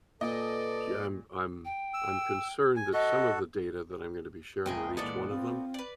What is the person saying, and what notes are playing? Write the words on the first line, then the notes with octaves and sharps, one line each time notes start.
ju um, I'm I'm concerned that some of the data that I'm going to be sharing with each one of them
A#2 A4 B4 D5 D#5
G5
E6
G#5
F#4 A4 D#5
F#1 C#2 G#4 D#5 G5
A#2 E3 G#3 B3 A4 D5
C4 F4
B4 D5